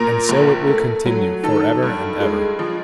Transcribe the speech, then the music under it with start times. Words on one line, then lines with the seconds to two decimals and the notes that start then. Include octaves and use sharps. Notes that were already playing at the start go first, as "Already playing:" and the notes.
And so it will continue for ever and ever.
Already playing: A#2 A#4
0.29 A#1
0.67 A3
1.06 F#3
1.43 D#3 A4
1.83 G2
2.20 G#3
2.59 F3